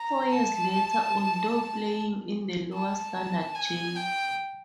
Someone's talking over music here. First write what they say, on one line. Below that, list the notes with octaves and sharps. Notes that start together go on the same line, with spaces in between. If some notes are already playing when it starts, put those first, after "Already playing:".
Four years later, although playing in the lower standard J.
Already playing: A#5
A5
A5
G#5
G5